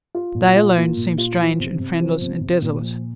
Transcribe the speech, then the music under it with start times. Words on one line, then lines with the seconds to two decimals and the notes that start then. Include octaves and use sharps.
They alone seemed strange and friendless, and desolate.
0.15 F4
0.35 A#2
0.56 F4
0.76 A#3
0.97 A#2
1.18 F4
1.39 F3
1.59 C3
1.80 C3
2.00 F3
2.21 C3
2.41 C3
2.62 A#2
2.82 F3